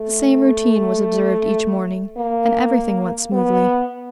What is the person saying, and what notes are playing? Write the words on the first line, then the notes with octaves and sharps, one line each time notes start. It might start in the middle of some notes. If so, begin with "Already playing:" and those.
The same routine was observed each morning, and everything went smoothly.
Already playing: A3
A#3
B3